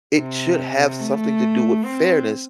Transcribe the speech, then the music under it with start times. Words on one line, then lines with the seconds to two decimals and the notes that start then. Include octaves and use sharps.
it should have something to do with fairness
0.15 C3
0.99 A3
1.85 C4